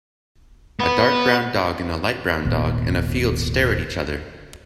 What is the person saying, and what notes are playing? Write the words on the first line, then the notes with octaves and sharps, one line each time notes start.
A dark brown dog and a light brown dog in a field stare at each other.
B3
D#1 G#1 A#2 B3